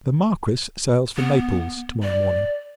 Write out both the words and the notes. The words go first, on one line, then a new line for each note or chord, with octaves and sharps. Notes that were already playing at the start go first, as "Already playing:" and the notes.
The Marquis sails for Naples to-morrow morning.
B3
D5